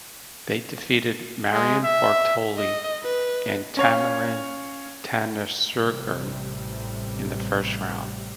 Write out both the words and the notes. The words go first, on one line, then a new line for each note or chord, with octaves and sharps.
They defeated Marion Bartoli and Tamarine Tanasugarn in the first round.
G#3
E5
D#5
B4
C#4 C#5 F5
A1 C3 G3